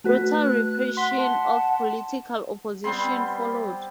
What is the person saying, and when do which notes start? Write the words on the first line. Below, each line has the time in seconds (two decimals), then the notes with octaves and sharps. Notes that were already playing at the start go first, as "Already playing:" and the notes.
Brutal repression of political opposition followed.
0.04 A3 F#4 B4
0.40 F#6
0.97 F#5 C6 B6 G7
1.16 A5
2.84 G3 B3 C4 C6